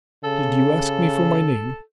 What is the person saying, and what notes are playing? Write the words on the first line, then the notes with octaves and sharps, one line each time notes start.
"Did you ask me for my name?"
C#3 A4